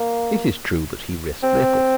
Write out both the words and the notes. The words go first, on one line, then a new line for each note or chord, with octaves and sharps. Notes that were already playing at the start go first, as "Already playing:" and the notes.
It is true that he risked little.
Already playing: A#3
C4